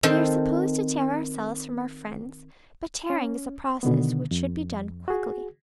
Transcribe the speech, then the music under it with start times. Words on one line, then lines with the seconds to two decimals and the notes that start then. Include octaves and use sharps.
We are supposed to tear ourselves from our friends; but tearing is a process which should be done quickly.
0.03 D#3 C4 A4 C5
3.10 C#4
3.83 B2 D3 D#3 B3
4.31 F2
5.08 F#4 G#4